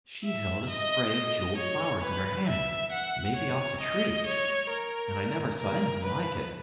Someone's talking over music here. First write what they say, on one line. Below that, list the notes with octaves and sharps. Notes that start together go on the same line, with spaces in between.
She held a spray of jeweled flowers in her hand, maybe off the Tree, and I never saw anything like it.
E5
D#5
D#5
C#5
B4
E5
F#5
C#5
D#5
C#5
A#4
A#4
B4